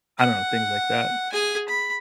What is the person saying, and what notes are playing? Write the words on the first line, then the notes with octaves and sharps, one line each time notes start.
I don't know, things like that.
F#5
G#4 G#5
B5